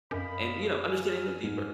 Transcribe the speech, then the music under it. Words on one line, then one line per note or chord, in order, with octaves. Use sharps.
And, you know, understanding them deeper.
F#2 D#5 F5 B5
G#5 F6
G#2